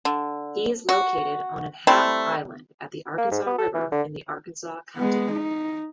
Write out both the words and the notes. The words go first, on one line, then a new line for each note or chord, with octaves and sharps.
He is located on an half-island at the Arkansas River in the Arkansas County.
D3
F#4
G3 A3 C4 E4
A#3
G#2
B3
A4
E3
D3
G#3 B3
D#4